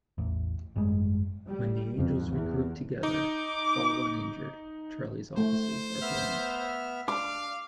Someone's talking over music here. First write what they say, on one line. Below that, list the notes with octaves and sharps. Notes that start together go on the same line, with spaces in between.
When the Angels regroup together, all uninjured, Charlie's offices are blown up.
A1 E2
G#1 F#2 G3 G#3
G3
F2
E2
D#4 D6
A3 C5
B3 E5 F6
D4 F5 D6